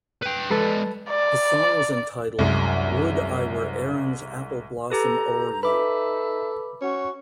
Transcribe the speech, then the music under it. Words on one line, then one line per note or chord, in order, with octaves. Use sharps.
His song was entitled "Would I Were Erin's Apple Blossom o'er You".
B4 G5
G#3 A4 B4 D5
D5
C2 F#2 G#3
G4 A4 B4 A#5 G6
D#4 A4 B4 E5 B5 D6
C#4 F#4 C#6